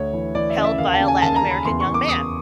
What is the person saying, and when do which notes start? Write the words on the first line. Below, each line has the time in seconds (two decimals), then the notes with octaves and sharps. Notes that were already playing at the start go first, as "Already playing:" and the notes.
held by a Latin American young man.
Already playing: D2 C#5
0.13 E3
0.35 E3 D5
0.50 E5
0.57 C#3
0.64 E5
0.78 D#2 F5
0.93 A5
1.00 C#3
1.08 G#5
1.22 D#2 A5
1.36 A#5
1.44 C#3
1.51 B5
1.65 E2 C6
1.80 C#6
1.87 E2
1.94 D6
2.08 E2 D#6